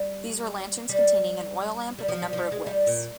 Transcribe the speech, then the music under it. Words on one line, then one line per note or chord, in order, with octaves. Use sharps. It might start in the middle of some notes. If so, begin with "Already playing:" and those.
These were lanterns containing an oil lamp with a number of wicks.
Already playing: G3
G3
G3
F3
G3
F3
G3
G#3
G3
A#2